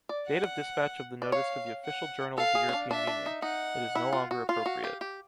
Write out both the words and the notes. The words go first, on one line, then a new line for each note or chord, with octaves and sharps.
Date of dispatch of the notice to the Official Journal of the European Union: it is no longer appropriate.
D5
F#5
D5
C#5 F5
F#5
A4 F5
G#4
C#4
D4
D4 E5
D4
D#4
D#4 F#5
E4
F4
F#4
F4 F5
F#4
G4
G4